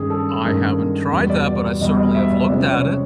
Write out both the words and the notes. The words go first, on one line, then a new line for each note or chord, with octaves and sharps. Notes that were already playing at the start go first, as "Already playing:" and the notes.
I haven't tried that, but I certainly have looked at it.
Already playing: G2 D#3 G#3 C#4 G#4
A4
G2 D#3 G#3 C#4 A#4
E2 B2 G3
D5
D5
E2 B2 G3 D#5
D#5
E5
D5
C3 F3 G#3 C#4 D5
C#5